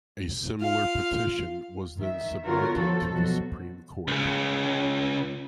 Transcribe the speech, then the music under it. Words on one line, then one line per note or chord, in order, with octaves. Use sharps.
A similar petition was then submitted to the Supreme Court.
F4 F5
D#3 E5
D3 B3 F4 F#4 A#4 C#5
F3 A4
B2 F3 F#3 F#4
C#2 C#3